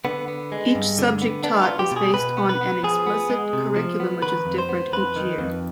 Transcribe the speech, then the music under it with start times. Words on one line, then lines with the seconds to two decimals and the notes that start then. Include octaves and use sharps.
Each subject taught is based on an explicit curriculum which is different each year.
0.05 D3 B3
0.28 B3
0.52 G#3
0.75 G2
0.99 D3
1.22 B3
1.44 B3 D4
1.62 F4
1.67 B3
1.79 G4
1.91 B2 G#4
2.14 B2 B4
2.37 B3
2.49 B4
2.61 B3
2.83 F3 G#4
3.07 B3
3.30 G#3
3.53 C3
3.76 F3
4.00 B3
4.22 D#3 B4
4.46 F2
4.58 C5
4.69 B3
4.93 F2 B4
5.16 D#3
5.39 F2